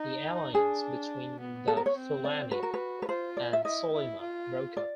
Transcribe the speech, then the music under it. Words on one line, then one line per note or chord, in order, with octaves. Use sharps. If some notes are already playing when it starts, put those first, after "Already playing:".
The alliance between the Fulani and Solima broke up.
Already playing: D#4
D4 G#4
B3
A4
A#4
C#5
C4
D5
F#4 B4
A#4
B4
B4
F4 C5
D5
E5
E4 D#5
E4
F4
D5